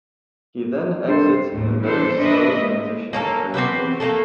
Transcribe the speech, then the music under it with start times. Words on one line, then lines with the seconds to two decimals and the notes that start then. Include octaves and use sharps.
He then exits in a very slow-transition-of-frame motion.
1.07 G2 D#3 A4 C5
1.53 D#2 A2 C#3
1.83 E3 G3 B3 D4 A4 C5
2.18 D4 A#4 B4 D#5 E5
2.56 G#3 A#3
3.13 A#3 C#4 A4
3.54 C4 F#4 G4 B4
4.00 A3 A#3 F#4 A4